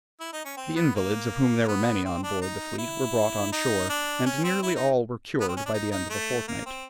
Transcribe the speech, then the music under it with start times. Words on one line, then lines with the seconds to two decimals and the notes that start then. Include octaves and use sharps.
The invalids, of whom there were many on board the fleet, were brought on shore, and nearly all were cured by the end of a fortnight.
0.20 E4
0.33 D#4
0.45 C#4
0.57 C4
0.76 B3
0.95 A#3
1.68 B3
2.05 C4
2.23 D4
2.42 D#4
2.78 E4
3.52 D#4
3.89 D4
4.26 C#4
4.44 C4
4.62 E4
4.75 D#4
5.41 B3
5.48 C4
5.57 C#4
5.65 D4
5.74 D#4
5.91 D#4
6.10 A3
6.48 A#3
6.66 C4